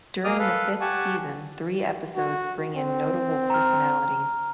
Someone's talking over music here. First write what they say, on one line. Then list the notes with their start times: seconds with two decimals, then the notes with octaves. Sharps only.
During the fifth season three episodes bring in notable personalities.
0.24 A#3 G#4 D#5 D6 D#6 F6
0.39 A4 B4 F5
0.81 G4 F#5 G#5 A5 C#6
2.16 F#4
2.75 C4
3.50 A#5 F6